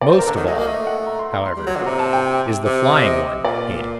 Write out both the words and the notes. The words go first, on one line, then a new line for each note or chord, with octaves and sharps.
Most of all, however, is the flying one hated.
D5
C5
A#4
D3 A4
D#3
F#3 D#5
A3
A#3
A3 D#5
F#5
A#5
C6
A#5
C6
G3
F#3
D3
A#2
C3 A#5
A5
G5
C3
D#5
A#2 D5